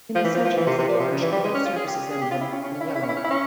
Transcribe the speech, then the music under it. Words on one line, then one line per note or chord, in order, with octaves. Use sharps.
In the centre is a large joint services emblem in yellow.
F3
E3
F3
F3
E3
C3
C3
A#2
C3
C#3
E3
G3
G#3
C#4
F4
G#4
G4
G#4
G4
F4
E4
C#4
C#4
C#4
E4
C#4
E4
C#4
E4
C#4
E4
C#4